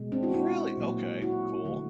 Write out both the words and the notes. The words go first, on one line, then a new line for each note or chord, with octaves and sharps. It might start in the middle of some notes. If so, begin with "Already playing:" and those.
Really? Okay, cool.
Already playing: B2 G#3
C4 D4
E4 F#4
E4 F#4
A#2 F#3 A#3
E4 F#4
D3 F#3 A3